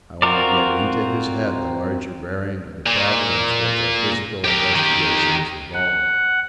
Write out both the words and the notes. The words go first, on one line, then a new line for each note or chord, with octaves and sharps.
I want to get into his head the larger bearing of the problems which our physical investigations involve.
C4 F4 F#4 A#4 D5
A#2
G4 A#4
D#3 G4
F#5